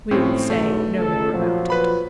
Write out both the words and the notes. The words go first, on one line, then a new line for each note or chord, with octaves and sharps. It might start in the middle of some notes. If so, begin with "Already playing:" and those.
We will say no more about it.
A2 C4 C#4
B1 E2 A3
C#2 A4
A#2 F3 F#3
B4 B5